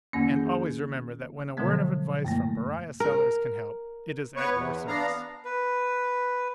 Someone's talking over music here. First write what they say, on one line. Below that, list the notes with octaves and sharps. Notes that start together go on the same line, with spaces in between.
And always remember that when a word of advice from Beriah Sellers can help, it is at your service.
F2 D#3 A#3 C#4
G#4
B2 D3 F3 F#3 G#3 B3
F#2 A3 A#3
A#4
B3 B4 C#5 C#6
E2
B3 D4 F5 A#5
B4